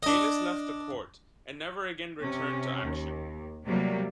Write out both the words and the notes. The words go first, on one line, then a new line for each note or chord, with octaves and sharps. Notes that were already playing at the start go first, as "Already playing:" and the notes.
Galis left the court, and never again returned to action.
D4 D#5
C3 C#4
D#2
C3 F#3 G3 A3 A#3